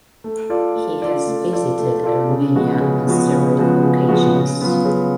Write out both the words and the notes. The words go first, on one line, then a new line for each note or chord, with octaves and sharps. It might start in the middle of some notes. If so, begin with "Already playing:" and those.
He has visited Armenia on several occasions.
A3
F4 A4 D5
A3
F4 A4 D5
A3
F4 A4 D5
A3
F4 A4 D5
C#3
F3 G#3 B3 F#4
C#3
F3 G#3 B3 F#4
C#3
F3 G#3 B3 F#4
C#3
F3 G#3 B3 F#4
C#3
F#3 B3 F4
C#3